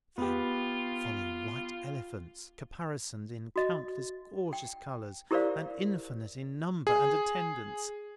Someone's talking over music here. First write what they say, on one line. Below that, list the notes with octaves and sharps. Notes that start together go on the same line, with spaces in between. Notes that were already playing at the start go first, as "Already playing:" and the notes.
Then, follow white elephants caparisoned in countless gorgeous colours, and infinite in number and attendants.
B3 F4 G4
F#4 D#5
G5
E4 G4 A#4 C5 D5 F5
G#4